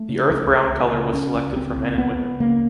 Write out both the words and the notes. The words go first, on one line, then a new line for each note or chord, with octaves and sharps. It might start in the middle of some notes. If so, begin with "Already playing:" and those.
The earth brown color was selected for men and women.
Already playing: A3
C#3
C#2
C#2
C#2
C#3
C#3 C#4
C#2
C#2 C4
C#2
C#2 B3
C#2
C#3 A#3